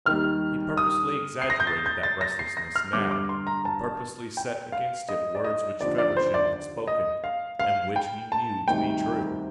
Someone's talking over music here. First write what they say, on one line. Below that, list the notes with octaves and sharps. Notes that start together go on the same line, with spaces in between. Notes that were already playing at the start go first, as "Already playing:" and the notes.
He purposely exaggerated that restlessness now, and purposely set against it words which Feversham had spoken and which he knew to be true.
D#2 D#3 G3 F6
D#6
C7
A#6
G6
A6
G6
A6
A#6
C7
A#6
F6
G2 D3 G3 D6
D6
C6
A#5
A5
G5
F5
D#5
D5
D#5
D#2 D3 F3 D5
D5
C5
D5
D#5
F5
F5
G5
A5
D2 C3 D#3 G3 G5